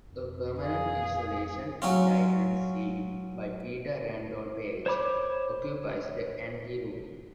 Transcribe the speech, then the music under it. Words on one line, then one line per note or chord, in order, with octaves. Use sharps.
A permanent installation entitled "Seed", by Peter Randall-Page, occupies the anteroom.
F2
G#4 F5
F#3 C#4 F4
C5 C#5 B5 D6